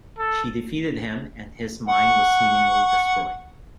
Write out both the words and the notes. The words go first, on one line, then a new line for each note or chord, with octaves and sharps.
She defeated him, and his mind was seemingly destroyed.
A4
F#5 C#6